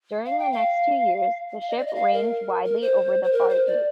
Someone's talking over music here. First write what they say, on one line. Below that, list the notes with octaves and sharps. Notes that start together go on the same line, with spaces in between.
During the next two years, the ship ranged widely over the Far East.
F5
G5
F5
F5
D#5
D5
D#5
F5
A#4
A#4
C5
C5
A#4
C5
D5